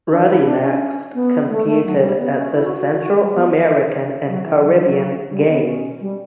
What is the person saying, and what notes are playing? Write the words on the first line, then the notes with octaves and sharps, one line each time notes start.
Rutty next competed at the Central American and Caribbean Games.
D4
E4
D4
C#4
B3
A3
A3
F#3
G3
B3
C#4
E4
F#4
F#4
G3
B3
F#3
E3
F#3
G3
B3
C#4
G3